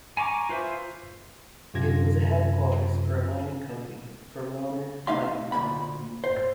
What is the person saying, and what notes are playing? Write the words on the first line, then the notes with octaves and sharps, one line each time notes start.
It was a headquarters for a mining company, Voroner Mining Company.
G#5 A#5 C#6 D6
F4 B4 C5 E5
F#2 C3 F4 G#6 A#6
A3 D#4 E5 F5 C6
D2 G2 A#2 B5
C5